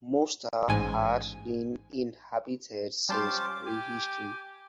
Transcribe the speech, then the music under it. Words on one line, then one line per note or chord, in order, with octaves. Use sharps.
Mosta has been inhabited since pre-history.
A1 G#2 G#5
G3 C#4 F4 G4 C5 A5 C6 D6
G4 G#5